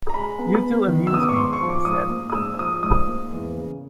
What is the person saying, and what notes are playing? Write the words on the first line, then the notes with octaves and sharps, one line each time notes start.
"You two amuse me," he said.
A#5
G#3 B5
B3
B3
D#3
E6
B3 D#6
D6
C#6
G#2 C6
C#6
F3
D6
G#2 D#6
A#3
D#6
G#2 E6
E6
F3 D#6
G#2 D#6
A#3
E2
C#3